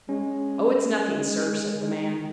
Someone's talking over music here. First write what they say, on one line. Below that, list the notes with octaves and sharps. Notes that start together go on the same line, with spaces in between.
"Oh, it's nothing, sir," said the man.
G#3 C#4